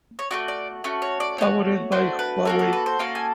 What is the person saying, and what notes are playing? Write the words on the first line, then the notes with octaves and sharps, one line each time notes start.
Powered by Huawei.
C#5
A3 C#4 F#4 D5
D5
A3 C#4 F#4
C#5
D5
A3 D4 F#4 C#5
A3 D4 F#4 C5
B4
A#3 C#4 F#4 A4 A#4
A#4
B4
C5
A#3 C#4 F#4 A4 F5
G#5